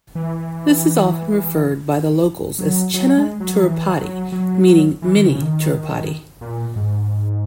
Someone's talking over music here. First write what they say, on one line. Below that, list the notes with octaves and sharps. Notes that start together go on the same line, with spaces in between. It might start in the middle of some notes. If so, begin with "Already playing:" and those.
This is often referred by the locals as "Chinna Tirupati", meaning mini Tirupati.
E3
F#3
F#3
G#3
F#3
F#3
E3
F#3
F#3
E3
D#3
C#3
D#3
A#2
G#2